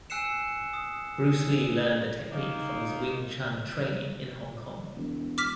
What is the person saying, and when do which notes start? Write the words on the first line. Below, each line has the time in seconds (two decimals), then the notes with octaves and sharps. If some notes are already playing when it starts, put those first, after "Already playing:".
Bruce Lee learned the technique from his Wing Chun training in Hong Kong.
0.10 G#5 E6 F#6 C7 C#7 E7
0.73 D#6
2.31 D#3 G#3 A#3 D#4
4.96 E1
5.38 D6 F6 B6